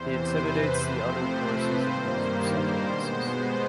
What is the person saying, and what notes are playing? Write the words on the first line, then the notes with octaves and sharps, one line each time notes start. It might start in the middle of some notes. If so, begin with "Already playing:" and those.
He intimidates the other horses and wins several races.
Already playing: E2 C3 E3 C5
B4
C3 F3 A3 C4 C5
B4
G2 D#3 G3 A#3 C5
C5
B2 G#3 B3 C5
B4